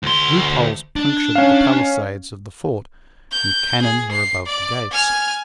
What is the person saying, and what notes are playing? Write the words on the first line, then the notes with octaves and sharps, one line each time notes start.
Loop-holes punctured the palisades of the fort, and cannon were above the gates.
D2 C6
D4
C#4 F5
G6
G#4
C7
D5
G#5 F6